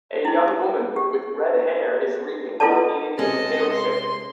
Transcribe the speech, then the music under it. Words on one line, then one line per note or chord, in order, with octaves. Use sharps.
A young woman, with redhair, is reading, while eating a potato chip.
D#4 E4
G4
E4 F4 A4 B4 D5 A5
C3 G#3 C#4 A4 D#5
C6